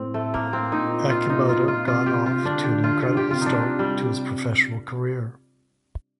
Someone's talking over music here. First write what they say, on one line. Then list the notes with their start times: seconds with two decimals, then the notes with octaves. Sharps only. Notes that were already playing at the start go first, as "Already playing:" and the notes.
Akimoto got off to an incredible start to his professional career.
Already playing: A2 C4
0.14 A3
0.34 A#3
0.53 C4
0.72 A#2 D#4
1.10 F4
1.29 D#4
1.49 F4
1.68 F4
1.87 C3 F4
2.06 G4
2.16 C3
2.26 F4
2.45 D3 D4
2.64 G4
2.84 F4
3.02 D3 F4
3.17 G4
3.31 C3 F4
3.41 D4 D#4
3.79 G3